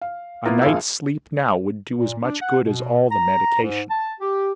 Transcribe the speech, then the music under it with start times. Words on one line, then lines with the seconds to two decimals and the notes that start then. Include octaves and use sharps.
A night's sleep now would do as much good as all the medication.
0.01 F5
0.45 A#3 B3 E4 F4 A#4
0.62 A#1 F2 G#3 F5 E6
1.97 A#2
2.23 D4
2.40 F#5
2.64 B2
3.11 A#5
3.61 G#2
3.89 A5
4.20 G4